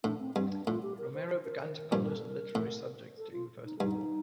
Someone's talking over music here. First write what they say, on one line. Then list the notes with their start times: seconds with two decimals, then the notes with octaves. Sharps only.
Romero began to publish on literary subjects during the First World War.
0.04 A2 D4
0.20 C4
0.36 G2 C4
0.51 D4
0.67 A2 F4
0.83 G4
0.98 A#4
1.14 C5
1.30 C5
1.45 A#4
1.61 A#4
1.77 A#4
1.92 G2 A#2 C5
2.04 A#4
2.16 A4
2.28 A#4
2.55 A2
3.18 A4
3.33 F4
3.65 D#4
3.80 G2 D#4